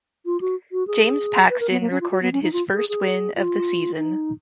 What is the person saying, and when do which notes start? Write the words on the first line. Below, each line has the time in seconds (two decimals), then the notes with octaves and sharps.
James Paxton recorded his first win of the season.
0.26 F4
0.41 F#4
0.72 F#4
0.87 G#4
1.49 B4
1.60 A#4
1.70 B3
1.81 A#3
1.91 C#4
2.01 F4
2.11 F#4
2.22 B3
2.33 C#4
2.43 D#4
2.53 F4
2.73 G#4
2.89 G#4
3.36 F4
3.98 D#4